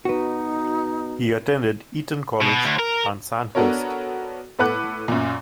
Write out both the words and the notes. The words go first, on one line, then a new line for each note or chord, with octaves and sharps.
He attended Eton College and Sandhurst.
B2 D#4 F#4 B4
B2
D2
A#4
B3 D4 F#4 A4 A#4 C#5
A2 A4 B4 F#5 D6 F#6
F#2 A#2